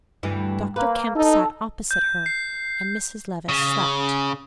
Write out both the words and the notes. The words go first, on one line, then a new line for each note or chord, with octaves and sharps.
Dr. Kemp sat opposite her--and Mrs. Levice slept.
D2 G2 E3
A#3 B4
D#4 A4
G6
C7
C#3